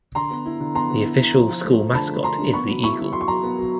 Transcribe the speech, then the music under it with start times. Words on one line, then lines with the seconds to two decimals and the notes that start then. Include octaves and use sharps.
The official school mascot is the Eagle.
0.15 D3 A#5 C6
0.31 B3
0.46 E4
0.60 D3
0.75 B3 A#5 C6
0.90 B3
1.05 E4
1.20 E4
1.35 F3
1.49 F3
1.65 A3
1.79 F3
1.94 D3 A5 B5
2.09 A3
2.23 D4 A#5 C6
2.38 D4
2.53 B3 B5 C#6
2.68 F#3
2.83 E4 B5 C#6
2.99 E4
3.13 F#3 C6
3.21 C#6
3.28 F#3 A#5 C6
3.43 B3
3.58 F#3